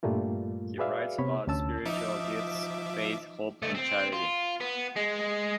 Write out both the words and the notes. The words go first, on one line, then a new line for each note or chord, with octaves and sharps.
He writes about spiritual gifts, faith, hope and charity.
G2 A#2 G3 A3 A#3 F4
F#4 G#4 B4 D5 E5 F5
C3 B3 C#5 B5
D2 C#4 A5 E6
F3 D#4 E5 D6
C#2 A3
C4
F4
B3
G#3